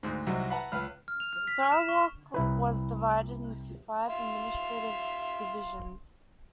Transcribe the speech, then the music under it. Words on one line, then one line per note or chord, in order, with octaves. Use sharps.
Sarawak was divided into five administrative Divisions.
D2 G#2
C2 C3 F#3 D#4 F#4 D#5
B4 E5 F#5 A5 A#5
C#2 B4 F6
F6
F7
F6
B6
E7
C#6
C2 E4 B4
E5 F5 C6